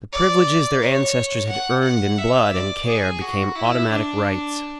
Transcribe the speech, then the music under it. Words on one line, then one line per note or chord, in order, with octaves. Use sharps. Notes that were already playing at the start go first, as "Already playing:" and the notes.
The privileges their ancestors had earned in blood and care became automatic rights.
D5
C#5
F#5
F#5
E5
D5
G#4
F#4
E4
D4